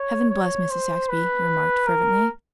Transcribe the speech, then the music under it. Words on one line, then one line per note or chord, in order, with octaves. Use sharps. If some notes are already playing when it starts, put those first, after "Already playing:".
"Heaven bless Mrs. Saxby," he remarked fervently.
Already playing: C#5
C#5
C5
B4
A#4